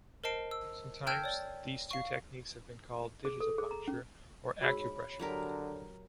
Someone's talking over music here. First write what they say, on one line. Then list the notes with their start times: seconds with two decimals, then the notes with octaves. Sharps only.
Sometimes, these two techniques have been called digitopuncture or acupressure.
0.24 A#4 C5 D#5 A5 C7 D7
0.51 E6
1.07 G5 A5 E6 F6 G6 G#6
1.24 C#5 D5
1.91 F5 C#6
3.25 G#4
3.40 A4
3.58 G#4
3.71 A#5
3.88 C#4
4.61 G#2 F#4 G#4 C#5 B5
5.19 D3 F#3 F#4 G4 A#4